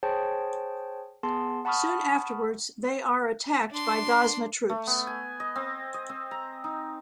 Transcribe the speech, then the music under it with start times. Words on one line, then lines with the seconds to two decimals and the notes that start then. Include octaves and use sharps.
Soon afterwards, they are attacked by Gozma troops.
0.03 G#4 C5 C#5 G5 A5
1.23 B3 G#4 A5 C6
1.65 F#5 A5 B5 C#6 D#6 F6
3.71 D4 C6
4.70 A3
4.87 B3
5.07 G#5
5.40 D#5
5.56 C4
5.94 D#5
6.09 C4
6.31 A#5
6.64 D#4